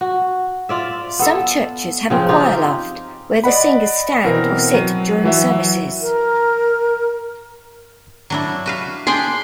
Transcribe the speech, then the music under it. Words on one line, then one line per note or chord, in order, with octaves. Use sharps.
Some churches have a choir loft, where the singers stand or sit during services.
F#4
F4 D5 E5
B3 A4
C#3 F3 C4
D#4 F4 G4
D5 D#5 F#5 B5
B2 E3 C4 A#4
F#3 D#7
E3 F#3 E5
A#4
F#3 D4 E4
F#4 B4 F5
D4 G#4 G5 B5 C6